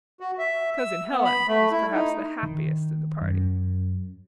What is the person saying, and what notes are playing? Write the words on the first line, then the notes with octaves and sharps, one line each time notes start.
Cousin Helen was perhaps the happiest of the party.
F#4
E5
E6
B3
B5
A3
E4
D#4
D#3
F#2